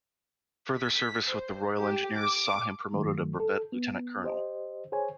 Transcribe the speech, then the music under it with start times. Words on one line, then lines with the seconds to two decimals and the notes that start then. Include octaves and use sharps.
Further service with the Royal Engineers saw him promoted a brevet Lieutenant-colonel.
0.78 B6
1.29 C5
1.79 G4
2.17 D6
2.93 G2 D#3 F#3 A3
3.40 A4
3.72 B3
4.24 G4 C5 D#5
4.92 G#4 C5 C#5 G#5